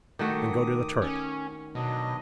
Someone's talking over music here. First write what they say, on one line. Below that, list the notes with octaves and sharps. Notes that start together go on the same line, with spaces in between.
Then go to the turret.
D#3 A3 F#4 D6 D#6
C#4
B2 F#3 D4 D#5